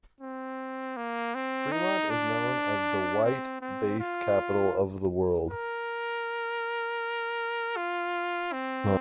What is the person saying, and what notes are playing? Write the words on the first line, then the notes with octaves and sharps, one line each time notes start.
Fremont is known as "the white bass capital of the world".
C4
A#3
C4
D#4
D4
C4
C4
F4
A#4
F4
C4